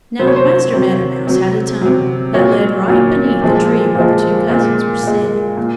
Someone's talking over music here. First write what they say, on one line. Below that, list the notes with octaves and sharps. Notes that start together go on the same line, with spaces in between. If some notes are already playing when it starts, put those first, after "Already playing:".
Now, Master Meadow Mouse had a tunnel that led right beneath the tree where the two cousins were sitting.
C3 F#3 C5
C#5
C5
C3 F#3
C3 F#3
C3 F#3
A#2 F#3 C#5
A#2 F#3
A#2 F3 G#3
A#2 F3 G#3
A#2 G#3
A#2 G#3
A#2